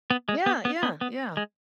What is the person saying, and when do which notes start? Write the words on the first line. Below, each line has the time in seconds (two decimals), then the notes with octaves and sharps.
Yeah, yeah, yeah,
0.11 B3
0.29 G#3
0.46 B3
0.65 B3
0.83 B3
1.01 B3
1.37 G#3